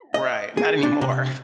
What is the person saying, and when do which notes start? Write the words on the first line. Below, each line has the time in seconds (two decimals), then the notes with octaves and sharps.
Right. Not anymore.
0.14 D#5
0.57 G#4
0.83 D4
1.01 C3